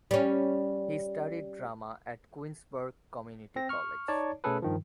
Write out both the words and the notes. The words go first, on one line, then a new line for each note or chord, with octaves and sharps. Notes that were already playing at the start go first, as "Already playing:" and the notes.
He studied drama at Queensborough Community College.
G3 C#4
C4 A#6
C#6 F6
D#4 C#5 D5 A5
B2 A3 C#4 G#4 A4 B4
G2 D#3 F3